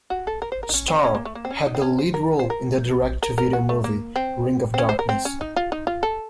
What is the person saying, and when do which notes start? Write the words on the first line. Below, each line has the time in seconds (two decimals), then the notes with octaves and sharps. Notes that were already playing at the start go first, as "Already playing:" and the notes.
Starr had the lead role in the Direct-To-Video movie, "Ring of Darkness".
0.10 F#4
0.27 A4
0.42 A#4
0.52 C5
0.63 A#4
0.69 D#4
0.74 C#4
0.88 C4
1.04 C#4
1.15 A#3
1.25 A3
1.35 A#3
1.45 C4
1.51 C#4
1.66 D#4
1.75 C4
1.82 C#4
1.98 C5
2.14 A#4
2.39 C5
2.50 A#4
3.23 A#4
3.38 A#4
3.53 F#4
3.69 A3
3.84 A#3
4.16 C4
4.74 C4
4.78 C#4
4.89 C5
4.99 A#4
5.09 C4
5.25 C#4
5.41 D#4
5.56 F4
5.72 D#4
5.87 F4
6.03 A4